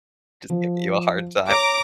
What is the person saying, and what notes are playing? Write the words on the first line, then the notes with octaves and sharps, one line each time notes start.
just give you a hard time.
F3
C#5 A#5 D6 D7